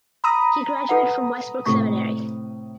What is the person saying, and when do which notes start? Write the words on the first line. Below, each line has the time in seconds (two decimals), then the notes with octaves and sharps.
He graduated from Westbrook Seminary.
0.24 A#5 B5 D#6
0.89 A4 B4 F#5
1.66 A2 C3 A4 C#6